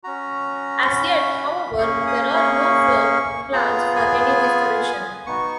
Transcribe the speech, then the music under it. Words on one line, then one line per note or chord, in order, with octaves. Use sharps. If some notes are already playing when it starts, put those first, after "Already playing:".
As yet, however, there are no firm plans for any restoration.
C#4 F#4 A#5
C#6
B5
A#3 C#4 G#4 C#6
D#6
C#6
B3 F4 G#4 A#5
G#5
B3 D#4 F#4 C#6